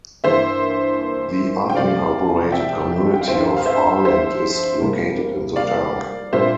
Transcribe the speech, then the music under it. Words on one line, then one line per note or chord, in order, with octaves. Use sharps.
The unincorporated community of Arland is located in the town.
G2 E3 A#3 D4 C5 E5
G5
C3 F3 A3 C4 D5 F5
E5 G5
G5
F5
G2 F3 C4 C5 E5
F5
C5 E5
C5 E5
C3 G3 A#3
D5 F5
A#2 G3 A#3 D4 C5 E5